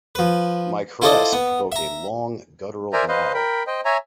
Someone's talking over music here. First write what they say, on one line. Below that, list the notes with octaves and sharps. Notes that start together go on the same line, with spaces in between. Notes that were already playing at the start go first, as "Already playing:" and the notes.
My caress provoked a long, guttural gnarl.
F3 B4
E4 F4 A4 C5 D5 D#5
B3
E5 A#5
A#4 C5 D5 E5 G#5 A#5
B4 C5 D#5 F5
A#4 G5 B5
C5 D#5 G5
C#5 E5 G#5 A#5